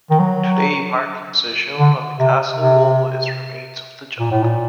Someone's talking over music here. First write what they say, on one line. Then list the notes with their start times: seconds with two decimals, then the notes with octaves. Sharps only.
Today markings are shown on the castle wall as remains of the jump.
0.11 D#3
0.20 F#3
1.80 D3
2.19 C3
2.60 C3
4.19 A#2
4.31 A2
4.44 A#2